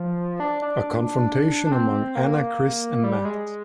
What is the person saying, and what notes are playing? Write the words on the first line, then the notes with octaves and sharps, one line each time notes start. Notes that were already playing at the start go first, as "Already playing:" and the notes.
A confrontation among Anna, Chris and Mat.
Already playing: F3
D4
D4
D4
C4
A#3
G3
G#3